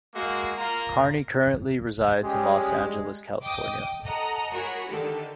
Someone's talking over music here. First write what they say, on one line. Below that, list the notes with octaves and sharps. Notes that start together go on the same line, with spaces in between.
Carney currently resides in Los Angeles, California.
G#3 A#3 F#4
A#3 F4 A#5
G3 G#3 C#4 G4
D#5 G5 D6 D#6
A4 D#5 F#5 A#5
F#4 G#4 A#4 C#5 F#5 B5
D3 D#3 G4 A4